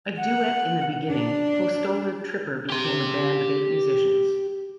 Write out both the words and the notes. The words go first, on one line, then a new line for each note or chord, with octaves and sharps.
A duet in the beginning, Postolar Tripper became a band of eight musicians.
F#5
D4
G4 C6